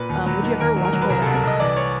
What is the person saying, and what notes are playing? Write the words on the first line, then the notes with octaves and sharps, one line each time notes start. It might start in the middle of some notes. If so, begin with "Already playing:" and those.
rum, would you ever watch Below Deck?
Already playing: A#2 B4
D#2
F#3
D#3
D#2 A#4
F#3
A#4
F#3
B4
C2 A#4
C2 A4
A#4
C2 D#5
E3 D5
C#5